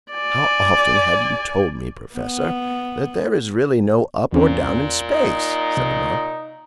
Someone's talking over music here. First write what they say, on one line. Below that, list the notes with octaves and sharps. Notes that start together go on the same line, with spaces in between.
"How often have you told me, Professor, that there is really no up or down in space?" said the monk.
D5 G#5
B3
E2 A#2 C4 C#4
D#4
C3